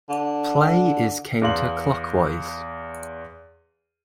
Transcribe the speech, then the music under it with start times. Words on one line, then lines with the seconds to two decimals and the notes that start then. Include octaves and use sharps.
Play is counter-clockwise.
0.09 D3
1.42 E2 F5 C6 F#7